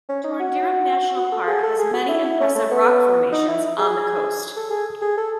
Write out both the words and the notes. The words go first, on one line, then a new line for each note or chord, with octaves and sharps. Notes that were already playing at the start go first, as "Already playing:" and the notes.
Torndirrup National Park has many impressive rock formations on the coast.
C#4
D#4
F#4
F#4
A4
G#4
A4
G#4
F#4
E4
C#4
A3
B3
D#4
E4
G#4
A4
G#4
G#4
A4